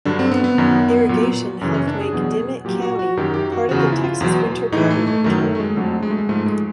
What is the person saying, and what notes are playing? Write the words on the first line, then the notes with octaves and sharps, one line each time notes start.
Irrigation helped make Dimmit County part of the Texas Winter Garden Region.
G2 D3 F#3 D4
C4
B3
B3
F#2 D#3 F#3
A#2 F#3
F#2 C#3 E3
C#4
D4
G#4
E2 B2 F#3
A#2 F#3 G4
F#4
F#4
F#2 D#3 F#3 G4
G4
F#4
E2 C#3 F3 F#4
F4
E4
F4
E2 B2 F#3
A2 E3 D#4
A3
A3
F#2 D#3 F#3 A3
A3
A3
G#3
F2 D3 F#3 A3
G#3
A3
G#3
G#2 F3 A3
G#3